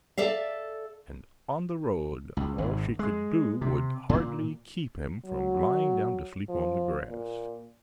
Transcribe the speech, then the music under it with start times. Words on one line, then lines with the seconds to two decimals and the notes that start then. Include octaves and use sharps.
And on the road all she could do would hardly keep him from lying down to sleep on the grass.
0.18 A4 D5 E5 F5
2.37 C#2
2.58 G#1
2.99 G#3
3.61 C3
4.09 A#2
5.25 F#3
6.49 F3
7.09 A#2